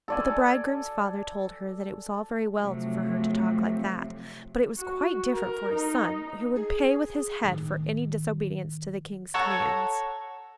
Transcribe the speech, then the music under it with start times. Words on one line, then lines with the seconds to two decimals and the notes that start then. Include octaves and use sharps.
But the bridegroom's father told her that it was all very well for her to talk like that, but it was quite different for his son, who would pay with his head for any disobedience to the king's commands.
0.08 A4 D5 G#5
2.56 C3 F3 F#3 A3
4.78 F#4
5.34 A#4
5.73 D#4
6.56 G#4
7.44 A2 D#3
9.34 A4 C#5 F#5 A#5